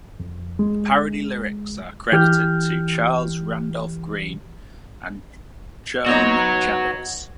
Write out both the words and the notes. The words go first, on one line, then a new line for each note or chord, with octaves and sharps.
The parody lyrics are credited to Charles Randolph Grean and Joan Javits.
F2
G#3
E3 G4 F6 G6
B3 D#4 F#4 C#5 A#5